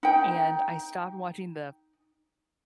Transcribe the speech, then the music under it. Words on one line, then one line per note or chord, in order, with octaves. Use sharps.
and, I stopped watching the f
D#4 G5